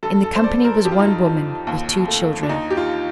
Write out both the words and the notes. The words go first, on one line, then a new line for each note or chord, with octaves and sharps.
In the company was one woman, with two children.
G2 A4
A4
C5
G2 D5
A#4
F2 G4
F4
D#4
F4
F2
D#2
A3
D4
D#2 D#4
G4
F4